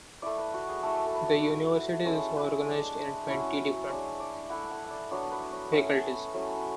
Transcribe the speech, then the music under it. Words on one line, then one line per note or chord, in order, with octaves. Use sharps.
The university is organized in twenty different faculties.
A3 E4 D5
B4
F#4
G#4
A3 E4 A4
A4
B4
A3 E4
G#3 C#4 E4 A4
B4
G#3 D4
F#3 C#4 E4
G#3 D4 C#5
D5
A3 E4 F#5
F#5
E5
D5
F#3 B3 D4 C#5
B4
C#5
A3 C#4 E4 C#5
F#3 A3 C#4 E4